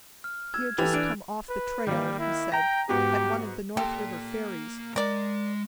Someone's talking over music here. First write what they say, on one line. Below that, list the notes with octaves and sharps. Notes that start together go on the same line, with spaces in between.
He had just come off the "trail," he said, at one of the North River ferries.
F6
E6 G#6
E3 G4 A4 E6 A6 F7
D4 F#6 D7
B4
D#3 G3 A#3
E4
G5 A#5 A#6
G#2 B3 F#4 G4
A#3 G4 A4 C6
G#3 A#4 D5